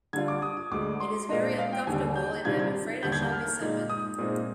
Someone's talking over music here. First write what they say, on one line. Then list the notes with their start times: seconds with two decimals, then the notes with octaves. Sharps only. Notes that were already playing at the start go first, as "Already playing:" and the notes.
It is very uncomfortable, I am afraid I shall be summoned.
0.13 D3 G3 D4 F4 G#6
0.28 D6
0.42 D#6
0.57 D#6
0.71 D2 D3 G#3 D6
1.00 C6
1.29 A#2 G#3 D4 D#5
1.58 F5
1.73 G5
1.87 D#2 D3 G3 G#5
2.16 G6
2.45 C3 D#3 G3 D4 F4 G#6
2.59 G#6
3.03 D#2 D3 G3 G6
3.12 G#6
3.22 G6
3.32 F6
3.61 A#2 G#3 D#4
3.90 D#6
4.18 A#2 G#3 C4 D#4